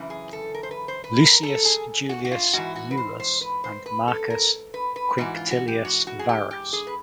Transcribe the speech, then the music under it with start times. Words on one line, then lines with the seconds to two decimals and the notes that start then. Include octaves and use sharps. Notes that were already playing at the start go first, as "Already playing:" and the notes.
Lucius Julius Iulus and Marcus Quinctilius Varus.
Already playing: F#2 C#3 E3
0.10 G#4
0.33 A4
0.54 A#4
0.63 C5
0.71 B4
0.88 C5
1.04 B4
1.21 A#4
1.43 A4
1.65 G#4
2.09 F#4
2.25 F#4
2.32 F4
2.53 G#2 E3 F#4
2.76 F#4
2.91 B4
2.97 C5
3.20 C5
3.41 B4
3.64 C5
3.86 B4
4.08 A4
4.30 A#4
4.74 B4
4.96 B4
5.18 G#2 E3 F#4
5.35 F4
5.51 F#4
5.68 G4
5.85 F#4
6.07 F#4
6.19 G#4
6.29 G4
6.51 G4
6.73 G#4
6.87 B4